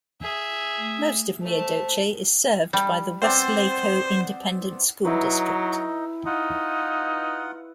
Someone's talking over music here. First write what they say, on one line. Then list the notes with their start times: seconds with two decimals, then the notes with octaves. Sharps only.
Most of Mila Doce is served by the Weslaco Independent School District.
0.22 G#4 E5
0.77 A3
1.42 A3 C5 A5
2.73 G3
3.22 B3 C4 C5 D5
5.04 F#3 D#4 E4 B4
6.26 D#4 F4 F#5